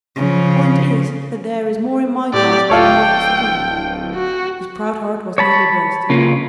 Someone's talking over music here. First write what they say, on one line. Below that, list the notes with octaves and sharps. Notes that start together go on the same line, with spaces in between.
"The point is, that there is more in my glass than in Michael's spoon." His proud heart was nearly bursting.
C#3 F3
A2 G4 D5
D1 F4 A4 C#5 G5
F#4
C#5 A5 B5
C#3 A#3 F4